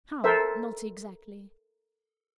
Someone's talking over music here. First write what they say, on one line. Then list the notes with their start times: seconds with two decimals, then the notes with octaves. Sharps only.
"How, not exactly?"
0.24 A4 A#4 C5 E5